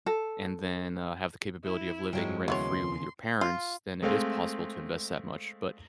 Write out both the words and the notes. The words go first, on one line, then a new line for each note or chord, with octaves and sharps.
and then, uh, have the capability of living rent-free with your parents, then it is possible to invest that much, but
A4
E4
G2 F3 F#3 G#3 G5
D#2 C#3 E3 B3 C#5 C6
F4
G#3 A3 C4 F5